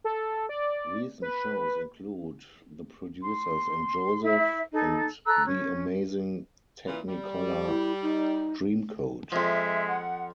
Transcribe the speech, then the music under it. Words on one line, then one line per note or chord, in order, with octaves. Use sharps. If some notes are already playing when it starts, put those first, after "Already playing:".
Recent shows include The Producers and Joseph and the Amazing Technicolor Dreamcoat.
A4
D5
B4
C6
E4 E5
D#4 A4
A4 A#5 E6 F#6
C#4
A#2 E3
G3
E4
D#4
F2 F3 G#3 E5
F#5